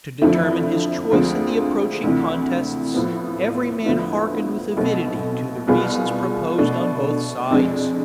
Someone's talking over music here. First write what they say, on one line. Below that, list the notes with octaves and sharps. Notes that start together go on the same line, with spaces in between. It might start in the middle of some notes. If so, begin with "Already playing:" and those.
To determine his choice in the approaching contests, every man hearkened with avidity to the reasons proposed on both sides.
F2 D3 F3 A3 E4
D2 D3 F3 G#3 C4
D2 C3 E3
A2 F3 B3
D2 D3 F3 B3 E4
B1 B2 A3 C4
C2 B2 B3 F4 G#4
B2 A3 D4
F2 C3 G#3 D4